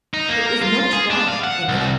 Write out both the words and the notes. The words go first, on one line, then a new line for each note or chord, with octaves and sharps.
There is no triumph in it.
D#4
A#3
A#4
F4
F4
G#4
D4
F5
F#5
C2